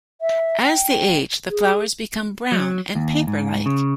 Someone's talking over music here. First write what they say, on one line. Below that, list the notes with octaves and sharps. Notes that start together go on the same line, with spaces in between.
As they age, the flowers become brown and paper-like.
E5
G5
G#4
F#3
D#2
G#2
C#3